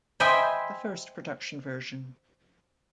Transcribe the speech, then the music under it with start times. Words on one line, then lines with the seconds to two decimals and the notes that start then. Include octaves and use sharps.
The first production version.
0.20 C5 D#5 E5 G5 G#5 B5